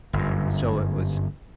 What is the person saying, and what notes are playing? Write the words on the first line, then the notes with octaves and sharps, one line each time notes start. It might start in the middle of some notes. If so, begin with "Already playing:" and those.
Uh, so it was
G1 F#2